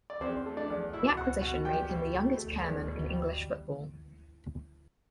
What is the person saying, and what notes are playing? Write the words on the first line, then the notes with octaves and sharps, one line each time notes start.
The acquisition made him the youngest chairman in English Football.
D5
E2 C4 C5
A3
D4 D5
E2
B2 E4 E5
B2 F#4 F#5
B2 F#4 F#5
E2 G4 G5
B2
A3
A3
E2
B2
G3